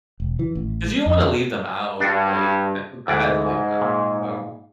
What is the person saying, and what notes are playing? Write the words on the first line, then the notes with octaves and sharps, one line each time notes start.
'Cause you don't wanna leave them out, like, I feel bad to leave 'em out, so
E1
E3
A1
G#3
F2
G2 D4 F#4
D2 G#2 E3 D5
A#2